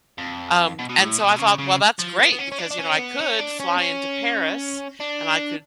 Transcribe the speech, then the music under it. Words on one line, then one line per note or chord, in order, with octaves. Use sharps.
Um, and so I thought, "Well, that's great," because, you know, I could fly into Paris, and I could,
F2
B2
B2
A2
B2
C#3
C#3
F3
B3
B3
C#4
C#4
D4
D4
C#4
B3
C#4
D4
C#4
C#4
D4